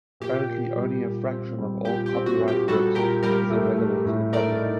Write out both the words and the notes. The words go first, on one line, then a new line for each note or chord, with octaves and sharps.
Currently only a fraction of old copyrighted works is available to the public.
A#2 G4
A#2
G3
A#2
C4
G3
A#2 G4
G4
C4
F#4
A#2
G4
G3 F#4 A4
A#2 G4 A#4
G3 G4 A#4
A3
A3
A2
A3 A#4 D5
D#4